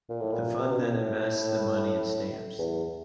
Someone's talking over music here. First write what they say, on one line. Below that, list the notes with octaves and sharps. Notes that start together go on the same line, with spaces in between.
The fund then invests the money in stamps.
A#2
A2
A#2
C3
B2
A#2
A2
E2